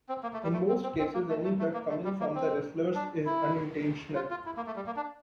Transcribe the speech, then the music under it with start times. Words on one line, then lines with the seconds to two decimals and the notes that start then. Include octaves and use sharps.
In most cases, any blood coming from the wrestlers is unintentional.
0.09 C4
0.23 A#3
0.33 A3
0.43 G3
0.53 A3
0.68 C4
0.83 C4
0.99 C4
1.14 A#3
1.29 A3
1.44 A3
1.59 A3
1.74 A#3
1.90 A3
2.04 G3
2.20 A#3
2.35 C4
2.95 D4
3.26 E4
4.15 F4
4.31 F4
4.46 E4
4.57 A#3
4.67 A3
4.76 G3
4.86 A#3
4.96 D4